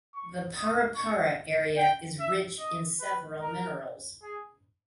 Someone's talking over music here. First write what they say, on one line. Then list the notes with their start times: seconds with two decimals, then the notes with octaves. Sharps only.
The Parapara area is rich in several minerals.
0.15 C#6
0.56 D#6
0.96 C#6
1.78 G5
2.19 E5
2.59 D#5
3.01 B4
3.41 A#4
4.23 G#4